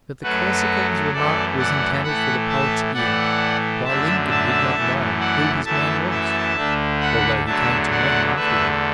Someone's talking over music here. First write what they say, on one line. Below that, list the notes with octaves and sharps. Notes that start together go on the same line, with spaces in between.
But the Corsican's remark was intended for the poet's ear, while Lincoln did not know who his man was, although he came to know him afterward.
F#2 F#3 A3 F#4 B4
F#2 E3 A3 A4 D5
D5 F#5
A2 E3 A3 F#5 B5
E5 A5
A2 E3 A3 D5 F#5
F#2 D3 A3 E5 A5
E5 A5
F#2 E3 A3
D5 F#5
F#2 E3 A3 E5 A5
E5 A5
D2 D3 A3
F#5 B5
E2 D3 F#3 A3 E5 A5
D5 F#5
E2 D3 A3 B4 E5